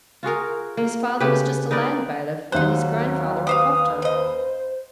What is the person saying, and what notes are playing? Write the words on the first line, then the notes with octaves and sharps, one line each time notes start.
His father was just a land bailiff, and his grandfather a crofter.'
F4 F#4 G#4 A#4
A#3
C#3 A3 G4 B4
D#4 A#4 B4 D5
D#2 F#3 D#4 C5 F#6
G4 B4 C5 F5 D#6
C#3 C5 D#5